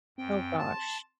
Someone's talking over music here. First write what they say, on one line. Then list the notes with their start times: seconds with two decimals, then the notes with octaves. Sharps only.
Oh gosh.
0.18 F#2 C4 G5
0.58 A5 C6 A6